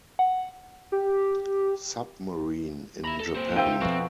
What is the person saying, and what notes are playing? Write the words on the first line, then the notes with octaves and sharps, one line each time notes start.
Submarine in Japan.
F#5
G4
E5 A#5 B5
A4
A#3 C4 C5
D#4 F4 C5 E5 G5
F2 B2 C4 F#4